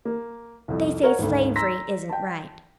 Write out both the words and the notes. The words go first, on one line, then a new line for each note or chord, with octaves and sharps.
"They say slavery isn't right."
A#3
C2 F2
A#4 C#5 F#5
G#1 D2
A#5 C6 E6 A#6 B6
G5 A5